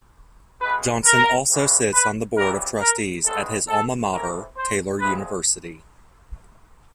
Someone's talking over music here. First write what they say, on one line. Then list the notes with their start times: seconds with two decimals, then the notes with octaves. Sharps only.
Johnson also sits on the Board of Trustees at his alma mater, Taylor University.
0.61 B1 B2 G#3 B4
1.05 A#4
1.49 D#2 C#3 E3 G#3
1.92 B4
2.36 D2 C#3 E3 G3 A#4
2.80 A#4
3.24 G2 D#3 G#3 B3 A4
3.68 A4
4.12 C2 C3 E3 A3 A#4
4.57 C5
5.00 D2 C3 F3 G#3 B4